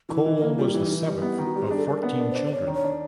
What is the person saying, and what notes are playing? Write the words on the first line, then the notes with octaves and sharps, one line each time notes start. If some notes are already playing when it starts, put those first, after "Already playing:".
Cole was the seventh of fourteen children.
E3 D#4
E4
E3
D#4
A#3
G3 F4
E3 E4
D#4
E3
E4
G3
B3
D#3
F#4
G3 G4
G#4
D4
A4
D4 A#4
B3
A#4
D4
C5
D4
C5
D4 C#5
D#3
C#5
D4